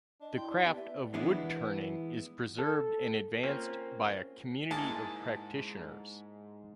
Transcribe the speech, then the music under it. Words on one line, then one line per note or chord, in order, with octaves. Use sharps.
The craft of woodturning is preserved and advanced by a community of practitioners.
D4 D#5
E4 G5 C6
D4 D5
B3 G4
B4 E5
E3 G#3 B3 D4 E4
A4
A#3 C4 C#4 F4
G#2 G#3 A#3 E4 G#5 A5